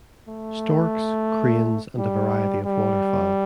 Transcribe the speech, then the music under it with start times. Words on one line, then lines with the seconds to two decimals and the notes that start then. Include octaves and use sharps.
Storks, cranes and a variety of waterfowl.
0.29 A3
1.98 G3
2.66 G3